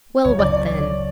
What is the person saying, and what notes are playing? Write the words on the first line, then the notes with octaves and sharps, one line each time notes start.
Well, what then?
C#2 C#3 F#3 C#5
D5